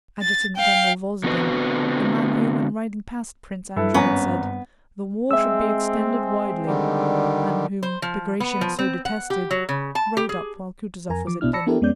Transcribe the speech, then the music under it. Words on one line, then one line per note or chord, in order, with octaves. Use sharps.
Adjutant General Wolzogen, the man who when riding past Prince Andrew had said, "the war should be extended widely," and whom Bagration so detested, rode up while Kutuzov was at dinner.
A6
F5 G5
D3 B3 C4 F#4 B4
G2 E4 A4 B4
G#1 B3 C#4 A#5
G#3 C4 E5 E6
D3 D#3 G3
C5
F3
B3
F3
C4
F#5
G4
F#3
C#3
A5
G4
G#4
F2 A#4 G#5 A#5
F3 D6
A#1 B2 D4 E4 F6
D5 A5 B5 E6 A#6 C#7
B3 D4 E4 G4 A4 A#4
F2 G#3 B3 C#4 D5 G6